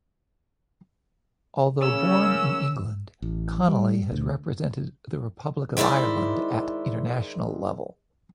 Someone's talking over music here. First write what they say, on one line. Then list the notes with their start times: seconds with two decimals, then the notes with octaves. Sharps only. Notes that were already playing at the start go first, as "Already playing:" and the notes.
Although born in England, Connolly has represented the Republic of Ireland at international level.
1.82 C#3 A#3 C#4 E6
3.22 A1
3.68 G3
4.12 D2
5.77 D#3 G#3 E4 C5 D5